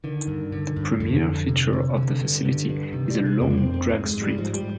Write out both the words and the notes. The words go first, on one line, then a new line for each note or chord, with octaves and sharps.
The premier feature of the facility is a long dragstrip.
D3 D#3
G2
D3
G2
F2 D3
F2
C3
C3
D3
G2
D3
G2
C3 D#3
G3
C3
G#3
F2 A#3
D4
C4
F2
C4
G#2 G#3
G#3
G#2
G3
G#2 F3
G3